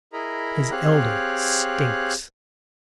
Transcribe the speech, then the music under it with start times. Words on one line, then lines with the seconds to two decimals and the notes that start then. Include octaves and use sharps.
"His elder stinks."
0.13 E4 G#4 A#4 D#5 A#5 B5
0.71 C4 G4 G#4 C#5 F5 F#6